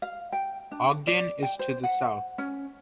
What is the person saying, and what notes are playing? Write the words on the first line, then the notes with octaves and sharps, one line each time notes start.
Ogden is to the south.
F5
G5
D4
D5
G5
C5
F#5
C#4